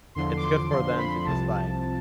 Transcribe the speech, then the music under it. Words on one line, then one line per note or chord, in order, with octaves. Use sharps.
it's good for them to just, like
E2 D3 F3 C6
D6
C6
F2 D3 F3 C6
B5
C2 C3 F3 A5